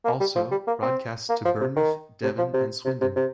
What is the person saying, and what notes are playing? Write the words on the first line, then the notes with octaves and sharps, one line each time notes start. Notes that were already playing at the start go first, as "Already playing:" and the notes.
Also, broadcast to Bournemouth, Devon, and Swindon.
A#3
G3
F3
G3
A#3
C4
A#3
F3
C3
D#3
C3
F3
C3
C3
C3
C3